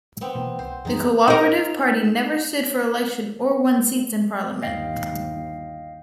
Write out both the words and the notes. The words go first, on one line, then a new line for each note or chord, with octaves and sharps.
The Co-operative Party never stood for election or won seats in Parliament.
B3 C4
B2 E3 A#3
C2 C5
F#2 E3 G3 G#3 D#4
D#4 A#4
G1 D#2 D#5 F5 G5